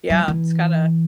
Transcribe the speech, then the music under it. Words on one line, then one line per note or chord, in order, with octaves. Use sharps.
Yeah, it's kinda
F#3
E3